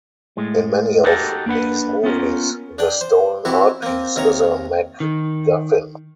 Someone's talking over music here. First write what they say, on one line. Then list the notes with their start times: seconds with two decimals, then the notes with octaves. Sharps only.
In many of these movies, the stolen art piece is a MacGuffin.
0.37 A2 G#3
1.04 D#4 F#4 G4 A4 A#4
1.46 A#3 D4 B4 F#5
2.04 B3 C#4 F4 A#4
2.79 D4 D5 G5
3.01 C5
3.45 C4 E4 F#4 G4
3.82 A#3 C4
4.16 D#2 C3 A#4 C#5 A#5
5.00 D#3